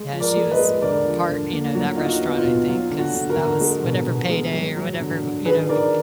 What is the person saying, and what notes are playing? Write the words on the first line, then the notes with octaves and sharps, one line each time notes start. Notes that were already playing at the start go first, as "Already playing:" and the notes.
Yeah, she was part, you know, that restaurant, I think, 'cause that was whatever payday or whatever, you know, we
Already playing: G#3
F3
A#4 D5
G#3
B4 D#5
G#3
D3 A#4 D5
F3
D3
A#3
F#3 F#4
D#4 F4
F#4
B3
F4
B2
F#3 F4
D3
F#4
D3
F#4 A#4
D3
G#3
B2
B2
G#3
F#3
F#3
D3
D3
D#3 G#4 B4
D#3 A#4 D5